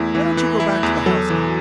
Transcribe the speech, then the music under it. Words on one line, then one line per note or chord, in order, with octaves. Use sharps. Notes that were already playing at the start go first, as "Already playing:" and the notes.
"Why don't you go back to the house now!"
Already playing: E2 A3 E4
E3
E3
E4
E2
F#3 A4
E3